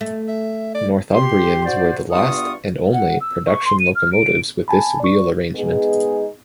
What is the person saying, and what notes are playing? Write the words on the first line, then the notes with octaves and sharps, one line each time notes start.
"Northumbrians" were the last, and only, production locomotives with this wheel arrangement.
A3
E5
D5
G4 C6
F#4 C5 D5
E2 G2 B3 F4 C#6 D#6
F#5
E6
C#6
C6
D#7
F6
D7
G#5 A5 B5
D5 C#6
G#3 B3 D#4 G#4